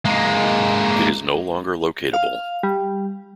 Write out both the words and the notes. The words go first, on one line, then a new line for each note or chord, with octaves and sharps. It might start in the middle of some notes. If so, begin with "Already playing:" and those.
It is no longer locatable.
G#3 A#3
F5
G3